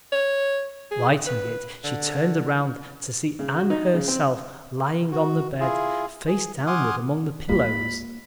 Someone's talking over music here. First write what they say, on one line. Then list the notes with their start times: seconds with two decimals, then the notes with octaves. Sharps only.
Lighting it, she turned around to see Anne herself lying on the bed, face downward among the pillows.
0.12 C#5
0.91 G#4
1.27 B4
1.84 D3
3.39 C#3
3.57 F#4
3.70 D#4
3.94 C#3
4.08 C4
5.11 F#4
5.60 E4 F4 G#4
6.27 G#4
6.67 F#5 G#5 C6 D6 D#6 F6
7.49 D#2 G#3 A#3 F4 G4 B5